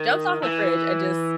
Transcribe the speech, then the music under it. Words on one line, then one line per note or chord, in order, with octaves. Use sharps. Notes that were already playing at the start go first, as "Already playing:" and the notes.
jumps off the fridge and just
Already playing: D#3
E3